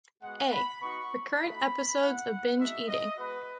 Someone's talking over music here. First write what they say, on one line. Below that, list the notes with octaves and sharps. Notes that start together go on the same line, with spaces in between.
A. Recurrent episodes of binge eating.
G#3 B3 F#4 F#5
B5
B3 D#4 F#4 C#6
A3 D#4 F#4 B5
A3 E4 F#5
G#3 D#4 F#4 E5
D#5
G#3 B3 F#4 B4